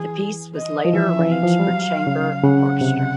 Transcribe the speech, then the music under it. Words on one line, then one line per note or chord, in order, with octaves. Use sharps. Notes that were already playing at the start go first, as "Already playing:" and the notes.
The piece was later arranged for chamber orchestra.
Already playing: E3 G#4
D#5
F3
E3 E5
E3
F5
F3
G3
F#3
C#3
C#3 F#5
C3